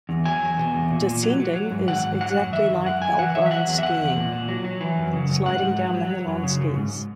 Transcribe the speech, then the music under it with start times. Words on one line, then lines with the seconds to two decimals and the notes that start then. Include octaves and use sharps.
Descending is exactly like alpine skiing: sliding down the hill on skis.
0.09 E2
0.25 F#3 G#5
0.42 E2
0.58 B2
0.74 E2
0.90 A#2
1.07 A#2
1.23 F#3
1.40 F#3
1.56 F#3
1.71 G#2
1.88 D#3 F#5
2.04 G#2
2.20 F#3 F#5
2.37 F#2
2.53 D#3 E5
2.70 F#2
2.86 F#2 F#5
3.01 F#2 G#5
3.19 E3 F#5
3.35 E3 E5
3.46 E5
3.51 F#3 F#5
3.68 E2
3.78 E5
3.83 D#3 F#5
4.00 E2
4.16 A#2
4.32 A#2
4.48 F#3
4.64 F#3
4.81 E3
4.98 F#2
5.13 C#3
5.29 F#2
5.46 G#2 F#5
5.62 G#2
5.78 F#3
5.94 F#3
6.10 F#3
6.27 F#2
6.44 C#3
6.60 F#2
6.76 G#2